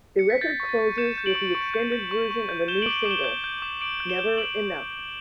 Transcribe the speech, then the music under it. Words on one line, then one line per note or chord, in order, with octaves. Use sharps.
The record closes with the extended version of a new single, "Never Enough".
C#7
B6
G6 A6
C#6
A6
C#6
G6 C#7 E7
G6
D7 F#7
C#6
C#6
G6
G6
C#6
C#6
G6
G6 E7 G7
D6 D7 F#7
D7 F#7
D6
E7 G7
G6
G6
D6
D6 D7 F#7
G6
E7 G7
G6
D6 D7 F#7